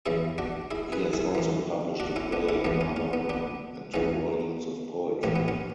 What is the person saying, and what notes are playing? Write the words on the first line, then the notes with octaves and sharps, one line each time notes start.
He has also published a play, "Mother Moon", and two volumes of poetry.
E2 C#3 E3 E4 G#4
D4 F#4
E4 G#4
G#4 B4
E4 G#4
F#2 E3
D4 F#4
C#4 E4
B3 D4
C#4 E4
E2 C#3 E3 B3 D4
C#4
C#4
B3
B3 D4
E2 C#3 E3 C#4
A1 A2 E3 C#4
B3
C#4